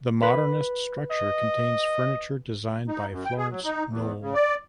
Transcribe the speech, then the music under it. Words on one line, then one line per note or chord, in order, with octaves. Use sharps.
The Modernist structure contains furniture designed by Florence Knoll.
B4
D#5
D#4
F#2
G5
G#4
F#3
D#4
E2
C#3
D5